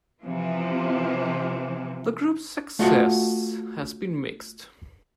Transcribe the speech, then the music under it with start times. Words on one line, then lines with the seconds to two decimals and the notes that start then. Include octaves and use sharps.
The group's success has been mixed.
0.21 C3 E3 F3
2.79 A3 F4 F#4 D#5 F5 F#5